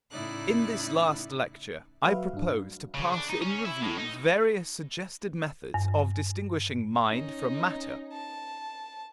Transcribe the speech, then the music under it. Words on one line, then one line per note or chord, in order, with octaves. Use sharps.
In this last lecture I propose to pass in review various suggested methods of distinguishing mind from matter.
A2 C#3 D#4 E4 D5 F#6
F#3 A3 F#4 B4 E5 F5
G2 D4
C#3
D4
D#4
C#4
E4
A2
D#4
G2
C#4 D#4
A5